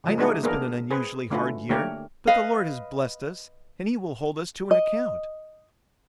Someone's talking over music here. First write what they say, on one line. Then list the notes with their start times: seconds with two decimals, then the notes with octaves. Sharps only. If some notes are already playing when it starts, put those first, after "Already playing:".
I know it has been an unusually hard year but the Lord has blessed us and He will hold us to an account.
0.04 C#3 F3 G#3
0.18 A3 D4 D#4 F#4 G#4
0.43 A#3 B3 D4 G#4 A#4
0.91 G#4 B4 C5
1.30 D3 A3 C#4 F4 F#4 B4
1.69 D3 A3 A#3 G4 A#4 C#5
2.27 B4 D#5 F5
4.71 D#5